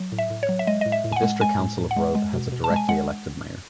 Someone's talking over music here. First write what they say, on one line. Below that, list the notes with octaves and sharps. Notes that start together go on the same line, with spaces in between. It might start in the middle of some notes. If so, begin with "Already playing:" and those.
The District Council of Robe has a directly-elected mayor.
Already playing: F#3
A2
E5
A2
C#5
F#3
E5
G#3 D#5
A2 D#5
E5
A2
G#5
F#5
G#3
G#3 G#5
A2
A2
F#5
G#3
G#3
B2
B2
A5
G#3
G#5
G#3 F#5